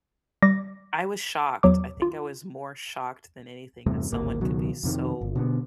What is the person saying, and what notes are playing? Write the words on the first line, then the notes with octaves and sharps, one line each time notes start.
I was shocked. I think I was more shocked than anything that someone could be so
G3 D6 A#6
E2 F#3 D6
F4
E2 G2 C3 A3
D1 G#1 A#3
C#2 B2 D#3 F#3
F2 C3 D#3
G1
B2 D3 B3